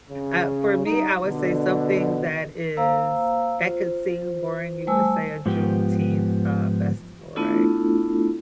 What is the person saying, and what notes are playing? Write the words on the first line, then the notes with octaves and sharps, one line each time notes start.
uh for me, I would say something that is that could seem boring you would say a Juneteenth, uh, festival, right?
C#3
G3 D#4
B2 D3
A#3 C5 F5 A#5 E6
F4 C5
G3 A3 C5 G#5 A5 E6
G#2 F3 B3 G4
A3 B3 D4 E4 F4 A4